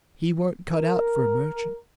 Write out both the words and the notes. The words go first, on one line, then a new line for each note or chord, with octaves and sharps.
He weren't cut out for a merchant.
A#4